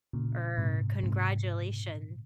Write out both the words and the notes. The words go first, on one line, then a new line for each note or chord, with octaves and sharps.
or "congratulation."
A#2 C#3
G#2 C3
G#2 C3